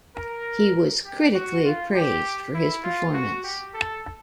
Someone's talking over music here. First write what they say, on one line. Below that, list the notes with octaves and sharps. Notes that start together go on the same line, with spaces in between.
He was critically praised for his performance.
A#4
G4
F#4
F4
G4
E4
F4
F#4
G4
A4